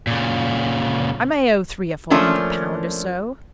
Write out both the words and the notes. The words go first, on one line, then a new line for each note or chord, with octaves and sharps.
"I may owe three or four hundred pounds or so."
A#2 C#3
F3 A3 A#3 C#4 D4